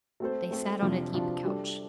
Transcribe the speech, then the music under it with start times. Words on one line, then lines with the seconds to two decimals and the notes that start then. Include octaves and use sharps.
They sat on a deep couch.
0.20 A3 C4 A4 C5
0.51 A3 C4 A4 C5
0.82 F2 C3 F3 D4 F4
1.13 F2 C3 F3 D4 F4
1.44 G3 D4 A4